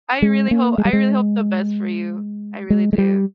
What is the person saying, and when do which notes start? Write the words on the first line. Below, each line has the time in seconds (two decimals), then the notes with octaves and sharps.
I really hope I really hope the best for you, I really do.
0.22 G#3
0.51 A#3
0.78 G#3
0.85 G3
0.93 G#3
2.70 G#3
2.93 G#3
2.98 G3